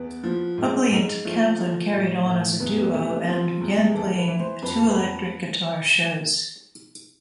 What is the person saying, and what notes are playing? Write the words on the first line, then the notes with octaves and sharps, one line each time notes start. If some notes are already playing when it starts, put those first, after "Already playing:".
Hubley and Kaplan carried on as a duo and began playing two-electric-guitar shows.
Already playing: E2 B3
F3
G#2
G#2
F3 A3
F3
A2
A2
E2 B3
B3
C3 A3
B3
F3 C4
E2
G#4
E3 A4
B4
E3
C5
F2 B4
A4
B4
F2